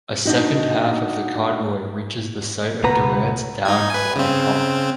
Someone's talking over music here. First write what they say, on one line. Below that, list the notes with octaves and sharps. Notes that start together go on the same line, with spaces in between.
A second half of the convoy reaches the site of Durant's downed Black Hawk.
D4 D#4 F#4
C#2 B2 B3 B4 A#5
D#4 G#6
B4 G#5
C#3 C4